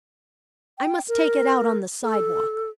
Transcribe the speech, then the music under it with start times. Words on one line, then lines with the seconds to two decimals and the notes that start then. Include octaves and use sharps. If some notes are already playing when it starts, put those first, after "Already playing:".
I must take it out on the sidewalk.
0.78 G5
1.08 A#4
2.03 A4